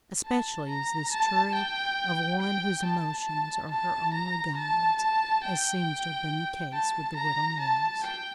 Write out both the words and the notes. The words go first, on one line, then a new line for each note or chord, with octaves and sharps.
Especially is this true of one whose emotions are her only guides, as seems to have been the case with the Widow Morris.
A5
A#5
A5
G5
G5
A5
A5
A5
A#5
A5
A5
G5
A5
A#5
A5
G5